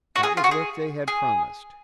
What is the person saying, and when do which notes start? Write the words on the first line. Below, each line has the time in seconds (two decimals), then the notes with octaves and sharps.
That was what they had promised.
0.16 F#4
0.23 G#4
0.37 F4
0.44 F#4
0.51 G#4
1.08 G#4